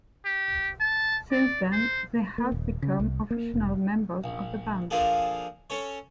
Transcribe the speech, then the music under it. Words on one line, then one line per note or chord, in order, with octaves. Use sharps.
Since then they have become official members of the band.
G4
A5
D5
C5
A#3
D#1
C#3
C2
A#3
F1
A#1
F3 A#3 D4 G#4 A4
C#4 A4 C#5